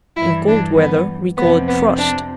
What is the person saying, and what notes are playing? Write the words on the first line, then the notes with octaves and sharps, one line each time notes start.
In cold weather we call it frost.
G2 E3 G3 E4
D4
B3
F2 C3 F3 B3
B3
D4